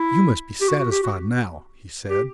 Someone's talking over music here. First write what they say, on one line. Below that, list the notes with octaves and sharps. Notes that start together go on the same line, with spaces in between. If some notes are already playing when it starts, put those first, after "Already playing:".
"You must be satisfied now," he said.
Already playing: E4
G4
F#4
F#4
G4
F#4
G4